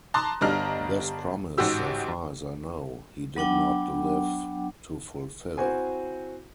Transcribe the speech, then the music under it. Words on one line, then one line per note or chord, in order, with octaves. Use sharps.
This promise, so far as I know, he did not live to fulfill.
A5 A#5 C6 D6 D#6 F#6
G1 G3 D4 D#5 A#5 F6
A1 G#2 F#4 G4 E6
F#3 B3 D4 F#5 G5 D6
C4 E4 F#4 C5 G#5